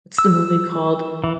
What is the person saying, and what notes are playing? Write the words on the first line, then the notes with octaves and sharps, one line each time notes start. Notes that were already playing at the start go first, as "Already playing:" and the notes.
what's the movie called
E6
E3